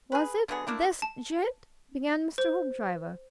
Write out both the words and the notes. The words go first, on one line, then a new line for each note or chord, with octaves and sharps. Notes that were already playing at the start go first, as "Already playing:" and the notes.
"Was it this--gent?" began Mr. Hoopdriver.
G#4 B4
D3 F#3 B3 G#4
A3 A#3 D4 E4
A5
C5